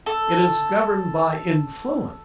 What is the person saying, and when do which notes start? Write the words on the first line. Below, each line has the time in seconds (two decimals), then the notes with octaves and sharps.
It is governed by influence.
0.06 A4